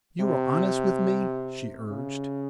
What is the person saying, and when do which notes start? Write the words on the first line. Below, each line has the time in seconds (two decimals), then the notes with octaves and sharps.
"You are honest with me?" she urged.
0.20 C3
1.88 C#3